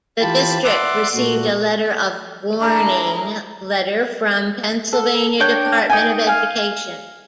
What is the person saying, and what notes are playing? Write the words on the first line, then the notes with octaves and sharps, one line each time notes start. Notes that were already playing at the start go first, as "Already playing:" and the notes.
The district received a letter of "Warning" letter from the Pennsylvania Department of Education.
E3 F4 G4 A5 B5
D5 E5 F#5 C6 D6
A#2 A3 F#4
D4 E4 G#4 A#4 A#5
A4
D4 C#5 G5 A5
D#4 G5 G#5
F5 G#5